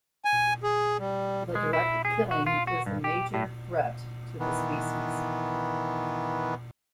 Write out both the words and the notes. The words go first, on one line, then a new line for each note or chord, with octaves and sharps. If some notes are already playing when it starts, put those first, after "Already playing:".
The direct killing is the major threat to the species.
G#5
G#4
G3
G#3
E4
G#4
F#4
F4
F#4
G2
G4
A2
D#3 E3 B3